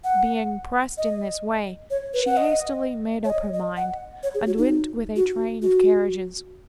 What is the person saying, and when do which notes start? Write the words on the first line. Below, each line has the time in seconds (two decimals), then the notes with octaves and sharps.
Being pressed in this way, she hastily made up her mind, and went with a train of carriages.
0.04 F#5
0.98 D#5
1.90 C#5
2.14 B4
2.26 F#5
2.37 D#5
3.25 C#5
3.30 D#5
3.54 D#5
3.77 F#5
4.23 C#5
4.34 G#4
4.46 F#4
4.58 D#4
5.16 F#4
5.62 F#4